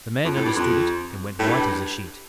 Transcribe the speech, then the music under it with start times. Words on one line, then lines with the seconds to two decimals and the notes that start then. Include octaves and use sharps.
The man understood it and went white as a sheet.
0.25 F2
0.35 A2
0.45 G2
0.55 F2
1.39 A2
1.48 G2